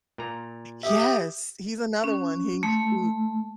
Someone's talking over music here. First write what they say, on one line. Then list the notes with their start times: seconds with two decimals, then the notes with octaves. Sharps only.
Yes, he's another one, he c ooh,
0.18 A#2 A#5
0.83 G4 E5 D#6
2.04 C#4
2.63 A3